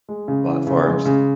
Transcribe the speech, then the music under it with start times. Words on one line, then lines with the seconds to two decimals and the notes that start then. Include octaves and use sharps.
bot farms.
0.09 G#3
0.28 C#3
0.47 E3
0.67 C#3
0.86 G#3
1.05 C#3